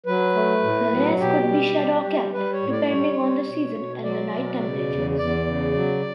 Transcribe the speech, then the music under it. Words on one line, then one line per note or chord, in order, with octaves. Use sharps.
Layers could be shed or kept, depending on the season and the night temperatures.
F#3 B4
A3
A2
F#3
B2 G4
G3
G3
G3
G3 B4
C#5
A2
D5
G3 C#5
G3
B2
B2
F#3 D5
B2
C#3
E2
E2 D5
C#3
F#3